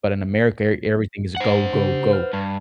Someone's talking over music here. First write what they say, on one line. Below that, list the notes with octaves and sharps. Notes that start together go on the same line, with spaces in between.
But in America, er everything is a go, go, go.
C5 F#5
C#3 D4 G4
B4 F6
G2